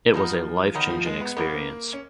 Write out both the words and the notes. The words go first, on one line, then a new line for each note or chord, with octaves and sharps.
It was a life changing experience.
B2 F3 F#3 B3 D#4
B2 D#3 F#3 B3 D#4
F3
G#3
B3
B2 F#3 A#3 B3 D#4
C#4